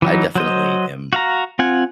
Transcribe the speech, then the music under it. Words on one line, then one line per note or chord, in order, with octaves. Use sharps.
I definitely am,
E3 F#3 D#4
F#3 C5 D#5
F#4 F5 A#5
C4 F4 F#5 G#5